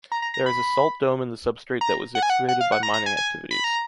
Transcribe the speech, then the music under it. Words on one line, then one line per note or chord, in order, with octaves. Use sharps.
There is a salt dome in the substrate that was excavated by mining activities.
A#5
A#5
A#5
B5
A#5
F#5
G#5
F#5
F#5
F5
F#5
A#5
A#5
G#5
G#5
B5
A#5